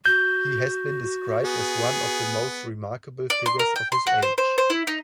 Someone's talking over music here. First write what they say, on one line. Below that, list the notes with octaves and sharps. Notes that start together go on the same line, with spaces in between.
He has been described as "one of the most remarkable figures of his age".
F#4 G6
B3 G#4
D5
C6
A#4
G5
C6
F#4
C5
C5
C5
E4
D#4